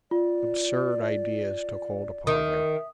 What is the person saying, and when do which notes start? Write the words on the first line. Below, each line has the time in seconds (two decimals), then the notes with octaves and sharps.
Absurd ideas took hold upon him.
0.11 F4 D5
2.27 D#3 E5 D#6